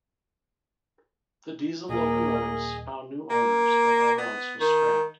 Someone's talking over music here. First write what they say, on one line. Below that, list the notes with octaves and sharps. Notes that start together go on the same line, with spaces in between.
The diesel locomotives found new owners, but all else was scrapped.
D#1 A#3 G#4 D#5
A#3
B3
D#3